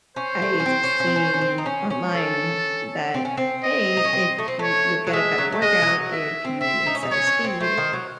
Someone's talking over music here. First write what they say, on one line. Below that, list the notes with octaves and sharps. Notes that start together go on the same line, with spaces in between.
I've seen online that, "Hey, if you you'll get a better workout, if you- instead of speed-
C#4 C5
A3
C#4
C4
C#4
C#4
C4
C#4
C#4
C4
D#4
C#4
C#4
A4
C4
C#4
C4
D#5
D#4
C#4
C4
A3
C4
A3 C#5
F#3
G#3 E5
F#3
A3
G#3 D#5
E3
F#3
E5
C4
C4 E5
D#4
C#4
D#4
C#4 C#5
C#4
C4
A3 C5
D#3
F#3